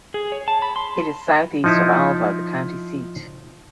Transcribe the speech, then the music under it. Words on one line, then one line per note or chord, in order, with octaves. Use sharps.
It is southeast of Alva, the county seat.
G#4
C#5
A5
B5
C6
F3 D#4 E4